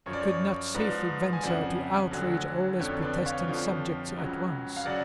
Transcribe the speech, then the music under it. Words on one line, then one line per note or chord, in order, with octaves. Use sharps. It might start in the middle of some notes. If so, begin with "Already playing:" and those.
He could not safely venture to outrage all his Protestant subjects at once.
F#2 F3 C#5
D5
C#5
G#2 F3 B4 D5
G#5
F2 C#3 F3 D5 F#5
D2 D3 F#3
F2 D3 F3 C#5
B4 D5
C#5 F5
F2 D3 F3
C#2 C#3 F#3
F5
C#3 F#3 D5 F#5